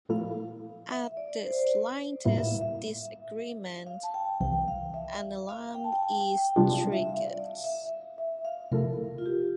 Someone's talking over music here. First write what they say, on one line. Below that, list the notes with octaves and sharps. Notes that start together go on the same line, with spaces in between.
At the slightest disagreement, an alarm is triggered.
A#2 F3 A3 E4 A4 F5
E5
D5
C5
D5
C5
A2 G3 A#3 E4 E5
E5
F5
E5
F5
A5
G5
C2 C3 E3 G5
F5
E5
F5
G5
A5
G5
G5
G5
G5
C3 G3 D4 F4 A5
F5
E5
F5
D5
E5
F5
E5
E5
F5
C3 F3 A3 E4 A4 A#4
F4
G4